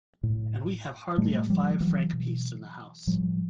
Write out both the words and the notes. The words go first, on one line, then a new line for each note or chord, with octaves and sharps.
And we have hardly a five-franc piece in the house.
A2
A2 G3 A3
F3 G3
E3 F#3
B2
A2 F3 G3